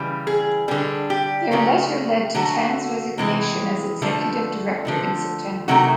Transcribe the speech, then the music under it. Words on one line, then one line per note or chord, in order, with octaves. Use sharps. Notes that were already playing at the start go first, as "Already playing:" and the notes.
Their letter led to Tan's resignation as executive director in September.
Already playing: C#3 E3 G3
G#4
D3 G3 G#4
G4
C#3 F#3 A3
D3 F#3 A3 F#4
C3 E3 G#3
D3 F3 A3
D3 F3 A3
C3 D#3 F#3 A3 F#4